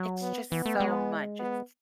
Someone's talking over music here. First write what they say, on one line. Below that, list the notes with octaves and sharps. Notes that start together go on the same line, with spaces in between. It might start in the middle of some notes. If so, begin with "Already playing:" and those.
It's just so much. It's
Already playing: F#3
B3
E3 B3
A3
G#3
B3